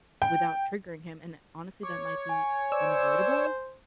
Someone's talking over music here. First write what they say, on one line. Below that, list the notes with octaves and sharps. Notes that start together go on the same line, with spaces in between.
without triggering him, and it honestly, that might be unavoidable,
G5
C#5 D6
G#5
C5 D5 E6